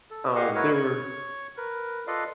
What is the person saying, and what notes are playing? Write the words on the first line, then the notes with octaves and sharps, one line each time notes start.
um, there were
A4
G4 G#4 D#5 F5 F#5
E4 F#4 A#4 B4 C#5 D#5
C#5 C#6
A#4 B4
F4 A4 B4 D5 D#5 F5